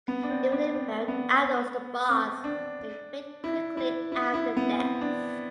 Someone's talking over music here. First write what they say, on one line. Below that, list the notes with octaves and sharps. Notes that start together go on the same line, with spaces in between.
Even in barred adults the bars may fade quickly after death.
B3
D4
C4
D4
C4
B3
C4
D4
E4
E4
E4
E4
B3
C4
D4